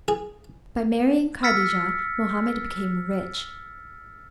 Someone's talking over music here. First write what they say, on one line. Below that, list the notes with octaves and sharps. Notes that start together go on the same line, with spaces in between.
By marrying Kadijah Mohammed became rich.
G#4
E6 F6 A6 B6 C#7